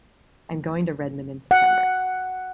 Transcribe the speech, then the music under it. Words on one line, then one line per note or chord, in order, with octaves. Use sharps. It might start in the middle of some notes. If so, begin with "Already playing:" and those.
I’m going to Redmond in September.
F#5